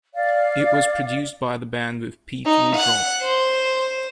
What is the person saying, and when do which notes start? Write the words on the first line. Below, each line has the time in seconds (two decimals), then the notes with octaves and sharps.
It was produced by the band with Pete Woodroffe.
0.14 D5 F5
2.46 D#4
2.75 F#5
3.22 C5